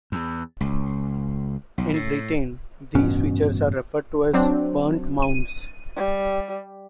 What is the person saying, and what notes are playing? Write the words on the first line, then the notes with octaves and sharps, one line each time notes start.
In Britain these features are referred to as 'burnt mounds'.
E2
C#2
B1
A2
A1 G2 B2 C#4
F#3 C4 D4
D#7
G3